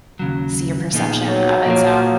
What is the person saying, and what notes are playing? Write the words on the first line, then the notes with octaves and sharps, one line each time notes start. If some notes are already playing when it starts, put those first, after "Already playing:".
see your perception of it, so I
D#2 C#3 F#3
A#2 F3 B3 D#4 G#4
F#3
A#2 F3 A#3 F4